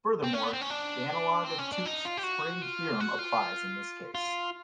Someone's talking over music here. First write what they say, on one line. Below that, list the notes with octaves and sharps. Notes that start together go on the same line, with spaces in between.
Furthermore, the analogue of Tutte's spring theorem applies in this case.
C4
C#4
B3
C4
C#4
D4
C4
C#4
D4
D#4
F4
G4
F#4
F4
F#4
F4
F4